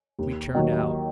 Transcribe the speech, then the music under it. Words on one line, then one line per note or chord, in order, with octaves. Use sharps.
We turned out.
D#2
D#3 F#3 A#3 D#4